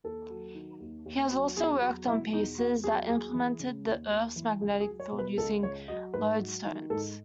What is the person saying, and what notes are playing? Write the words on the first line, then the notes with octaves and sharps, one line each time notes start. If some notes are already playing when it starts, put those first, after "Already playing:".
He has also worked on pieces that implemented the Earth's magnetic field using lodestones.
D#2 A4
F#3
D#3
D#2
D#2
F#3
E2 G#4
F#3 F#4
B2 E4
E2 D#4
E2 F#4
F#3 G#4
D#2 G#4
E3
C#3
D#2
D#2
E3
C#2 G#4
G#4
F#3
C#5
B2
B4
C#2 A4
C#2 C#5
F#3 D#5
G#2 B4
F#3
D#3
G#2 A4